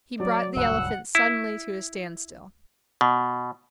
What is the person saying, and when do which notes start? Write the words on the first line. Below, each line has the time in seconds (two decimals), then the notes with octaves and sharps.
He brought the elephant suddenly to a standstill.
0.20 F#3 D5
0.55 D#1 C#2 G2 F#5 E6
1.15 E4
3.01 B2